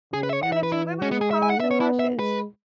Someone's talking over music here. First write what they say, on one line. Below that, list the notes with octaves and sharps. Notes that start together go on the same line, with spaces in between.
It lives in rivers, ponds and marshes.
C#3 G#4
B4
E5
C#5
E3 F#5
E5
B4
E4
G#3 C#4
B3
G#4
E5
G#5
F#5
B3 E5
C#5
E4
E5
G#3 B4